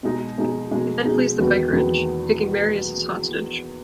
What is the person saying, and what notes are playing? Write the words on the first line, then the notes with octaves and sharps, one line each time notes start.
He then flees the vicarage, taking Mary as his hostage.
B2 G#3 D#4 G#4
B2 G#3 D#4 G#4
B2 G#3 D#4 G#4
B2 G#3 D#4 G#4
E2 D#3 G#3 B3 F#4
E2 D#3 G#3 B3 F#4